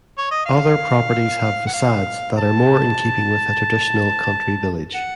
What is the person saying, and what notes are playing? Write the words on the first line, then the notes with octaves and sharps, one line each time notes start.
Other properties have facades that are more in keeping with a traditional country village.
C#5
D#5
F5
F#5
F5
A5
F#5